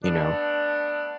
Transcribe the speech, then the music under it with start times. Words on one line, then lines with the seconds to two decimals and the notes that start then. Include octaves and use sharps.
you know,
0.04 A3 B3 D4